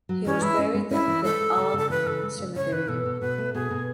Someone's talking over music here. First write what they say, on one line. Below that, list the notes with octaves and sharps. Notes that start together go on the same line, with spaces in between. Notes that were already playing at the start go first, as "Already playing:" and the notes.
He was buried at the Agde cemetery.
F#3
E3 C#4
G#3 E4
C#4
G#3
C#4 E4
E3
G#3 A4
G#3
C#3
C#3 A4
E3 B4
C#3 A4
G#3
C#3
C#3 C#5
E3 B4
B2 A4
B2
B2 B4
A3
B2 G#4
B2